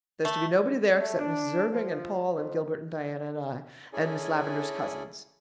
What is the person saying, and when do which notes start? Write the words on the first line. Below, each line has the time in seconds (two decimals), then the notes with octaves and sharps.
There's to be nobody there except Mrs. Irving and Paul and Gilbert and Diana and I, and Miss Lavendar's cousins.
0.25 A3
1.00 A3
1.19 D4
1.72 F3
2.37 F2
3.93 C#4 E4 G#4 A4 D5 G#5